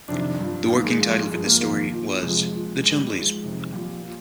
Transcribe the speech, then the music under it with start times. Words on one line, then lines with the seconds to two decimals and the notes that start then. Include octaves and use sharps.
The working title for this story was "The Chumblies".
0.08 F2 C3 D#3 D4
0.39 G2 F3
0.69 G#2 D#3 A#3
0.84 G#3
0.99 A#2 F3
1.29 G2 F3 G#3
1.45 A#3
1.60 F2 D#3 A#3
1.90 A#2 F3
2.21 F2 C3 F3 G#3
2.51 A#2 F3
2.81 G#2 D#3 G#3
2.97 G3
3.12 G#2 F3 G#3
3.43 F2 C3 D#3
3.72 A#2 F3 G3
4.03 A#2